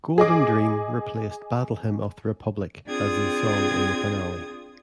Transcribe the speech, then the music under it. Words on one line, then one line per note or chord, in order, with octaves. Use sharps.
"Golden Dream" replaced "Battle Hymn of the Republic" as the song in the finale.
G#4 D#5 D6
C4 D4 F4 G#4 D#6 G#6